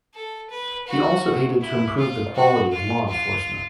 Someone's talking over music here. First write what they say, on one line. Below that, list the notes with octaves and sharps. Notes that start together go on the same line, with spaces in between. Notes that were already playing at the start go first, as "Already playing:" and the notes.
He also aided to improve the quality of law enforcement.
A4
B4
F#4
E4
F4
F#4
F4
F4